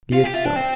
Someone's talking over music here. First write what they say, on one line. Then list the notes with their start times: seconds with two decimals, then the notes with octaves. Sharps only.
Be it so.
0.13 F4 F5
0.24 G4
0.34 F4 E5
0.45 D4 A5
0.56 C4 G5